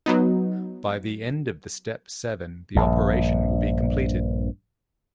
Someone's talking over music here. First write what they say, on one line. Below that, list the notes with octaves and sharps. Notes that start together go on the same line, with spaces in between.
By the end of the step seven, the operation will be completed.
F#3 B3 D#4
A#1 G2